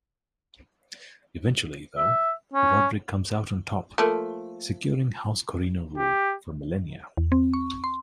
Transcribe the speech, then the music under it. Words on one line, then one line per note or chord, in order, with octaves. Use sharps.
Eventually, though, Roderick comes out on top, securing House Corrino rule for millennia.
E5
C#4
F3 A3 A#3
G4
E2
C4
C#6
C6